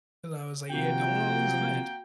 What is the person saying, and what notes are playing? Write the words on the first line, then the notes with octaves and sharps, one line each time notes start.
And I was, like, "Yeah, don't wanna lose that."
C3 F3 A#3 F#4 G5